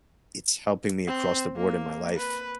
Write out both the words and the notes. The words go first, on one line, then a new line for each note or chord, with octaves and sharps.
it's helping me across the board in my life,
C4
A#3
B4